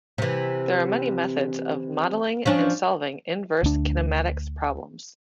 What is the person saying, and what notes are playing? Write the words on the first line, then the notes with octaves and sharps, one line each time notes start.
There are many methods of modelling and solving inverse kinematics problems.
C3 E3
F3 C#4 D4
D2 D4